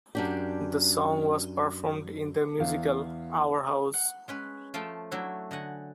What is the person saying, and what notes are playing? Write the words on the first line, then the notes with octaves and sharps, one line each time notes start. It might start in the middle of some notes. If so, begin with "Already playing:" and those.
The song was performed in the musical, 'Our House.
F#2 D4 G4
E2 F5
F#5
G#3 C#4 B4
F3 A3 F5 G5 A5
F#3 A3 D4 E4 C#5
D3 D#5 F#5 G#5